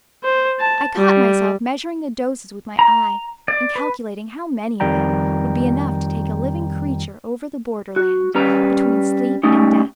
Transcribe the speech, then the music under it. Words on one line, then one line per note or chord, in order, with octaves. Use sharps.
I caught myself measuring the doses with my eye, and calculating how many of them would be enough to take a living creature over the border-land between sleep and death.
C5
A5
G3
A#5
D5
B4
F2 D#3 G3 G5 A#5
F#4
G3 C#4 B4 A#5
G3 A3 C#4 D#4